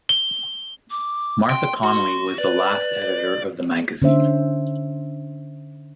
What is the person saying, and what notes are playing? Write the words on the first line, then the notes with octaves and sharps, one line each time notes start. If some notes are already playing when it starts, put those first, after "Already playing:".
Martha Connolly was the last Editor of the magazine.
G7
D6
G5 C6
F#4 C6
B4 D5
D3 C#4 C5 E5